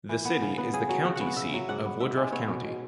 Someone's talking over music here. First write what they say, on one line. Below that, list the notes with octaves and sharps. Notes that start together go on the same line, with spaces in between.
The city is the county seat of Woodruff County.
E3
B3
C#3
B3
C#3 G#4
F#3
C#3 F#4
F#5
B3
F#5
C#3 E5
F#3
G#2 F#5
B3
G#2 E5
G#3
B3 C#5
B2
B2